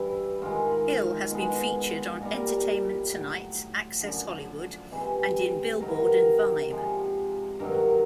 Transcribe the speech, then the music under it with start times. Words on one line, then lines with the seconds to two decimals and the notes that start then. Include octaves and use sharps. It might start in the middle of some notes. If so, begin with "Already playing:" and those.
Hill has been featured on "Entertainment Tonight", "Access Hollywood", and in "Billboard" and "Vibe".
Already playing: G2 E3 G3 E4
0.42 G#2 D#3 G#3 F4
1.31 B2 G#3
2.21 A#2 G3 A#4
3.10 A2 F#3
4.00 F#2 D3 F3
4.91 C3 E3 G#3
5.80 C3 D#3 F#3 A#4
5.88 B4
5.95 A#4
6.70 C3 F3 G#3
7.59 G2 D#3 F#3 A#4